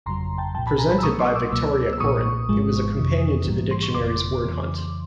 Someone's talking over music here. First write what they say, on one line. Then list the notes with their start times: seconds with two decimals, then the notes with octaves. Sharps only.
Presented by Victoria Coren, it was a companion to the dictionary's Wordhunt.
0.06 G1 F2 C#3 F#3 A#5 C6
0.38 G5 A5
0.55 C2 A#2 F3 G5 A5
0.67 A5 B5
0.78 G#5 A#5
0.91 A5 B5
0.99 E6
1.03 B1 B2 F#3 A3 C#6 D#6
1.19 C6 D6
1.36 D6 E6
1.52 C#2 B2 F#3 A#3
1.93 E6
2.00 B1 A#2 F3 A#3 C#6 D#6
2.49 G#1 G#2 F3 G#3
2.97 F2 C3 D#3
3.46 A#1 G#2 E3 G3 A#3
3.71 C6
3.83 C#6
3.95 G1 F2 C#3 C6 D6
4.43 F2 C#3 E3